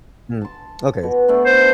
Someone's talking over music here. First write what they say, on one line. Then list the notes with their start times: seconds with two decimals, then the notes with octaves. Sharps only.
Mm. Okay, I see
0.41 A5 C6
1.03 B2
1.28 A3 B3 D4
1.45 C5